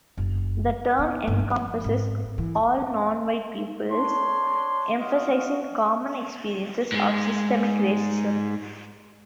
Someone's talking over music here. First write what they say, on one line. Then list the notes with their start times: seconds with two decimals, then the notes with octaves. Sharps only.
The term encompasses all non-white peoples, emphasizing common experiences of systemic racism.
0.17 F#1
0.99 B3
1.27 G1
1.39 F3
1.84 G#1
2.38 E3
3.90 D4 C#5 C6
5.00 F#4 D#5 F5
6.92 G#2 G#3